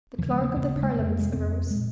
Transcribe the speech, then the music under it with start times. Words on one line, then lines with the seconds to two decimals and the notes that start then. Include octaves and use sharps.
The Clerk of the Parliaments arose.
0.18 D#2 C#3 F3
0.31 G#3
0.43 A#3
0.56 D#2 C#3 C4
0.68 A#3
0.82 G#3
0.94 F2 C3 A#3
1.06 G#3
1.19 G#3
1.33 F2 C3 C4
1.71 A#2 G#3